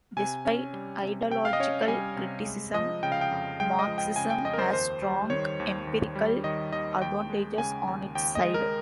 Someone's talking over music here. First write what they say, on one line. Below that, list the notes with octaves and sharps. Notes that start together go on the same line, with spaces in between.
Despite ideological criticism, Marxism has strong empirical advantages on its side.
C3 G#5
C#4
G3
C3
C3 G5
F5
D#5
C#4 C#5
G3 G#5
C3
G#3
F3 D#5
C#3 G5
F5
G5
F2
G#3 G5
D#5
F3
G5
C#3 G#5
G5
F2 D#5
A#4
C5
D#2 C5
G3
D#3 C#5
D#2
D#2
G3
D#3 D#5
D#2 D#5
D#2 G5
G#3
C#3 G#5
D#2
D#2 G5
D#5
G#3
A#4